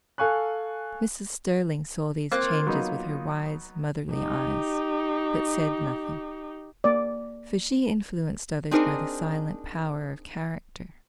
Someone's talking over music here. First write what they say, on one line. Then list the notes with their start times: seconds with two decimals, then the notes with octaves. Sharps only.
Mrs. Sterling saw these changes with her wise, motherly eyes, but said nothing; for she influenced others by the silent power of character.
0.18 A4 F5 G#5 C#6 F#6
2.31 A#3 C4 F4 F#6
2.67 F#3 B3 D#4
4.14 D#4 G4
6.84 A#3 D5
8.71 C4 D4 D#4 G#4 A#4 C5